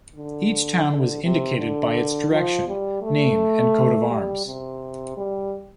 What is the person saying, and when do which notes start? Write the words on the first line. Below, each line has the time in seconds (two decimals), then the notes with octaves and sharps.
Each town was indicated by its direction, name, and coat of arms.
0.15 D3
0.87 D3
1.23 C3
1.58 D3
2.31 F3
2.67 G3
3.02 A3
4.10 G3
4.46 C3
5.17 G3